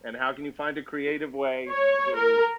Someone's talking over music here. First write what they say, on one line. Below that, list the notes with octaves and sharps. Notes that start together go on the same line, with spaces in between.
and how can you find a creative way to
C#5
A#4